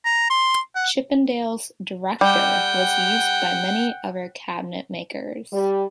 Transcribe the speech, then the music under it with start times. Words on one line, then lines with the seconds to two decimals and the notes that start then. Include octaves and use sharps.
Chippendale's "Director" was used by many other cabinet makers.
0.05 A#5
0.30 C6
0.76 F#5
2.21 G3 F#5 G5
5.53 G3